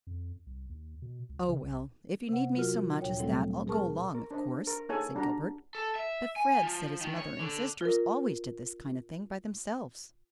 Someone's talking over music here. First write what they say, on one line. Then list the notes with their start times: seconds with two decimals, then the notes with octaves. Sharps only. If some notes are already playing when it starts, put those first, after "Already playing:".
"Oh, well, if you need me so much as that I'll go along, of course," said Gilbert, "but Fred said his mother and sisters always did this kind of thing by themselves."
0.07 F2
0.47 C2
0.69 D#2
1.02 B2
1.29 C#2
1.48 C#3
1.63 C2
2.29 C3 F#5
2.55 F#3 F4 F#4 A#4 F6
3.00 D2 A#2 C#5 G5
3.19 F#3 G3 A3 C4 E4 A4
3.67 B2 G#4 A#4 A5 C#6 F6
4.15 A#4
4.31 D4 C5 D#5
4.67 A#4
4.89 A#3 D#4 G#4 A4 C#5 G#5
5.15 G3 D4 F#4 A#5
5.75 A4
5.95 E5
6.36 G#5
6.62 F3
7.01 D#3
7.18 C#5
7.39 D3
7.81 F4 A#4